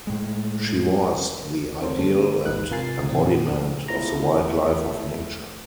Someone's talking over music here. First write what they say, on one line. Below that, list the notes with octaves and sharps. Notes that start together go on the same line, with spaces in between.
She was the ideal and embodiment of the wild life of nature.
A2 G#3
C4 A4 A#4 C5 C#5
D3 G3 G#3 A#3 C#4 A4
A1 G#2 D#4 B4 F#6
C3 F4 A#4 G#5 A6 C7
A#2 E3 F3 C4
G#3 A3 B3 E4 F4 G#4 A#5